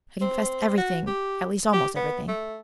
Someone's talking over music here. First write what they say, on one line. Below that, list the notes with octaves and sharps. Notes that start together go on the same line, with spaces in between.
I confessed everything--at least, almost everything.
C4
F#4
G4
G4
B3
A3